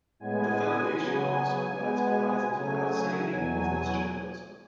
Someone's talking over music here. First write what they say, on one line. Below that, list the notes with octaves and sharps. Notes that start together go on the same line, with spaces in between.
The foundation also provides prizes for outstanding business journalism.
A2 G#3 B3 G#5
C#3 F#3 B3
B2 G#3 B3
C#3 F#3 A3 G#5
E2 B2 F#3 G#5